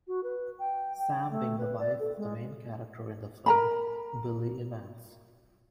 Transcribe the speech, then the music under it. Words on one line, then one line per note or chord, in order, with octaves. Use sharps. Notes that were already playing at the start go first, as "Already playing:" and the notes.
Sam being the wife of the main character in the film, Billy Evans.
F#4
B4
G5
G5
A3
B4
D5
A4
G#3
A#4 A#5 B5